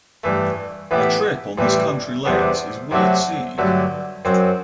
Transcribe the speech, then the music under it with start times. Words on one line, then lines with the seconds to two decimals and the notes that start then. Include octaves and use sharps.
A trip on this country lanes is worth seeing.
0.24 G2 E3 A3
0.91 A2 E3 B3 E4 G4
1.58 A1 A2 E3 G3
2.25 E2 C3 G3 B3 D4
2.91 C3 F#3 A3 D4 F#4
3.58 G2 D3 F#3 A3
4.25 F#2 F#3 C4